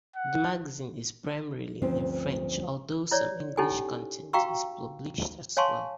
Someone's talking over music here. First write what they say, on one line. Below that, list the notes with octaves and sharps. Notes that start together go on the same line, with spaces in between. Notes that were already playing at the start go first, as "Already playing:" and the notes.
The magazine is primarily in French, although some English content is published as well.
F#5
D2 G2 F3 C4 C#4 C5
E4 C#5 D5
C#4 D#4 E4 G4 A4 G#5
F#4 F5 G5 A#5 C#6 E6
C#5 F5 G#5 A5 C6 C#6